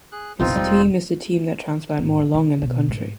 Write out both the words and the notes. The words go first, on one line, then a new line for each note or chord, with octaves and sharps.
His team is the team that transplant more lung in the country.
G#4 F#6
G1 C2 B2 C4 D#4 F4
E1 D#2 G3
G#1 D#4
D#3
C#3
A#1 B2
G#2